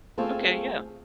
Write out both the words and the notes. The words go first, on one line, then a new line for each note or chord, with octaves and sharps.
Okay, yeah.
A3 C4 F4 G#4 A4